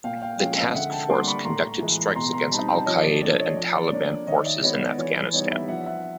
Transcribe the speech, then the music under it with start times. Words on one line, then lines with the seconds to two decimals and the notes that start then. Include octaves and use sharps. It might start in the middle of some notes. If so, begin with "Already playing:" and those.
The Task Force conducted strikes against Al-Qaeda and Taliban forces in Afghanistan.
0.04 A#2 F5 G5
0.22 F5 G5
0.39 F3 G#3 C#4 F5 G5
0.56 D#5 F5
0.75 D3 E5 F#5
0.92 G5 A5
1.09 G3 A#3 D4 C6 D6
1.27 B5 C#6
1.45 A2 A#5 C6
1.80 E3 G#3
2.15 B2 A#5 C6
2.33 A#5 C6
2.51 G3 C4 D#4 A5 B5
2.68 G5 A5
2.86 F3 C#5 D#5
3.04 D5
3.22 A3 D4 D5
3.39 C#5 D#5
3.57 F3 D5
3.74 D5
3.92 A#3 D4 C#5
4.10 D5
4.27 D#3 C#5 D#5
4.45 D5 E5
4.63 G#3 B3 C#5 D#5
4.80 D5
4.98 E3 C#5
5.16 D5
5.33 G3 B3 D#4 C#5 D#5
5.51 D5 E5
5.68 F3 E5 F#5
5.86 E5 F#5